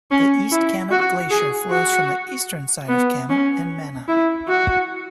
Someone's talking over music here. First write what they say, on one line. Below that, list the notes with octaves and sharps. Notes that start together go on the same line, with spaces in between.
The East Kamet Glacier flows from the eastern side of Kamet and Mana.
C#4
E4
F#4
G#4
F#4
B3
C#4
E4
F#4